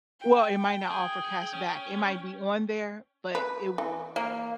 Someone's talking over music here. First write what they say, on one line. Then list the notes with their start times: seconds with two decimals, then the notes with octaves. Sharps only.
Well it might not offer cash back it might be on there, but it w
0.20 G5
0.91 G#4
1.53 C#4
3.35 B4
3.78 E3
4.16 A#3